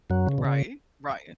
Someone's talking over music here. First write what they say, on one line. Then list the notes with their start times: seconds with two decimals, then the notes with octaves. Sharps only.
Right, right.
0.10 F#2 F#3
0.27 C#3
0.38 B2
0.45 C#3